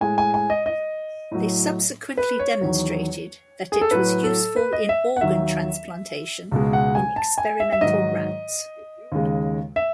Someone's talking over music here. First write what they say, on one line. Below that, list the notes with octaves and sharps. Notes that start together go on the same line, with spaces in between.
They subsequently demonstrated that it was useful in organ transplantation in experimental rats.
A2 G#3 G#5
G#5
G#5
D#5
D#5
A2 F#3
B4
C#5
E2 D#3 F#3
G#4
A4
A2 F#3 B4
A4
B4
D#5
E5
F#5
D#2 D#3 F#3 E5
C#2 B2 G#3
F#5
G#5
A5
G#5
E5
E5
G#2 D#3 F#3 D#5
D#2 C#3 G#3
E5